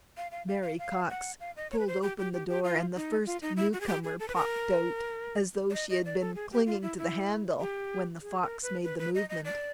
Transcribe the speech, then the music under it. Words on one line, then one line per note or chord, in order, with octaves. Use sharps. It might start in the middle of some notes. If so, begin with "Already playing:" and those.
Mary Cox pulled open the door and the first newcomer popped out as though she had been clinging to the handle when The Fox made the movement.
F5
F5
F5
F5
F5
F#5
F5
D#5
C#5
B4
C5
G4
G4
G4
G4
F4
D#4
F4
D#4
E4
F#4
G#4
G4
G#4
A4
B4
A#4
D5
D#5
D#5
D5
A4
G#4
G4
F4
E4
E4
G4
G#4
A#4
B4
B4
B4
D#5
D#5
D5